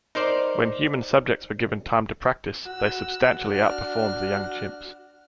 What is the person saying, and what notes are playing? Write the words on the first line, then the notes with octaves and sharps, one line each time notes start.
When human subjects were given time to practice, they substantially outperformed the young chimps.
D#4 A#4 C5 D5
F#4 E6
D4 F6